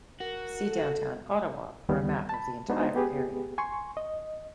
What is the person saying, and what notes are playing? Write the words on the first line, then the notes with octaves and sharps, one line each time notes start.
See Downtown Ottawa for a map of the entire area.
F#4 A#4
A4
D#2 D#3 G3 B3
A5 B5
G#3 B3 D4 D#4 F#4 C5
B3 G4 G#4 B4
G#5 C6 C#6
D#5